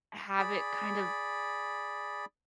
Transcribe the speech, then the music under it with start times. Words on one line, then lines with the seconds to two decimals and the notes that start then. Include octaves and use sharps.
Have it, kind of
0.39 G#4 D5 B5